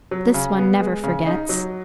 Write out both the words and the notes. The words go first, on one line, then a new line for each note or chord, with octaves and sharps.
"This one never forgets!"
F#3
C#3
B3
G#3
C#3
D#4
F#3